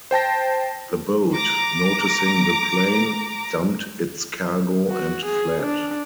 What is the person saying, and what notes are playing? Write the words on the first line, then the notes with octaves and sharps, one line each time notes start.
The boat, noticing the plane, dumped its cargo and fled.
C5 G5 A5 A#6
A#5 D6
F#4
G#4
D4